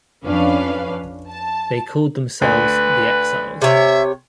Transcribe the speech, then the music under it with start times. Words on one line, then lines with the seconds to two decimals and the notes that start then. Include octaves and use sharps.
They called themselves the Exiles.
0.24 F2 C#4 D4 B4 F5
1.30 A5
2.42 D2 B4
3.62 C3 C#5 E5